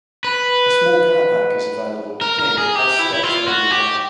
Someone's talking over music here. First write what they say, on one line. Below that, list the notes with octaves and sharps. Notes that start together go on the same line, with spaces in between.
A small car park is available, and bus stops are nearby.
B4
A#4
A#4
G#4
G4
E4
E4
F4
F#4
G4